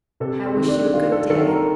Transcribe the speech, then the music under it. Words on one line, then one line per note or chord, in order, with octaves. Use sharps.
"I wish you a good day."
C3 A4
C4
D#3
D4
D#3 F4
A4
D#3 A4
A#4